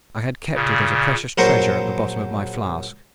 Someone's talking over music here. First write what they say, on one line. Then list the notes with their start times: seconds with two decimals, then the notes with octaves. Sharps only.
I had kept it as a precious treasure at the bottom of my flask.
0.55 A#2 C#3
1.38 A#1 F#3 A#4 C5 C6 C#6